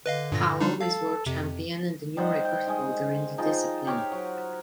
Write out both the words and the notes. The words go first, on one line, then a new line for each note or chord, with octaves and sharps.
Powell is world champion and the new record-holder in the discipline.
D3 B4 D#5 F5
G2 A#2 A#6
G3 D4 D#4
A4 F5
F2 C3
G3 D#4 C5 F#5
G5
D#3 G#3 G#4
F3 D#4 G#4 G5
G4 A#4 C5 C#5
F#3 F#4